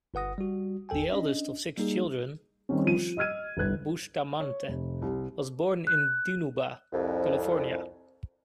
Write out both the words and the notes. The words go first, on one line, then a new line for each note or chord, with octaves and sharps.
The eldest of six children, Cruz Bustamante was born in Dinuba, California.
G1 B4 F#5 D#6 A#6
G3 F#4
G1 E2 A4 G5 G#5
C#4 D4 D#5
G3 A#3 D#4 G#4
D#3 G3 C4 C#4
F3 D#7
D#5 E6 F6 G#6 D#7
G1 C2 B4 F#6 G#6
C#5
F1
C2
F#6
C2 F2